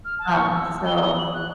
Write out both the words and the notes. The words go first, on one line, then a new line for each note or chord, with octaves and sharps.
Um, so,
F6
A5
C#6
E6
G7
D#6
F#7
F#6